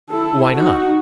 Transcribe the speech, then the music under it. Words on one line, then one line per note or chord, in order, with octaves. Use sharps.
"Why not?"
E4 A4
D#4 F#4